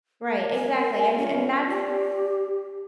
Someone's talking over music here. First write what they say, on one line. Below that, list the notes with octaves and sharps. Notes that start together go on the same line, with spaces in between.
Right, exactly, and and that's
A#4
G#5
C#4 F4
G4 D5